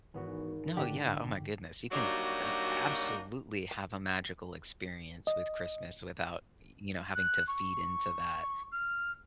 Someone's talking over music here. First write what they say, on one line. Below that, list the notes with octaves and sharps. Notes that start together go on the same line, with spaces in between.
No, yeah. Oh my goodness, you can, uh, absolutely have a magical experience with Christmas without, y you know, having to feed into that,
G#1 E3 B3 F#4
G#2 D3 D4 G4
F#3 G3 A#3 D4 D#4 F#4
D#5
F#6
C#6
F6